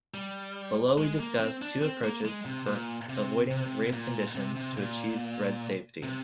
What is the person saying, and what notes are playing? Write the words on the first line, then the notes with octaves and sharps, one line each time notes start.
Below we discuss two approaches for avoiding race conditions to achieve thread safety.
G3
G#3
A#3
C4
D4
C4
A#3
G#3
C3
A#2
C3
C3
A#2
C3
C3
A#2
C3